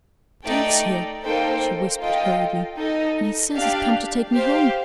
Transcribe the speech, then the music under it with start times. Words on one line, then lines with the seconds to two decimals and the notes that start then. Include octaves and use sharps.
"Dave's here," she whispered hurriedly, "an' he says he's come to take me home."
0.45 A3 D#4 A4 D5 G5
1.23 A#3 D#4 A4 C5 G5
2.01 F4 A4 D#5 G5
2.77 D#4 A4 D#5
3.55 D4 G4 D5 F5
4.33 G4 C5 F5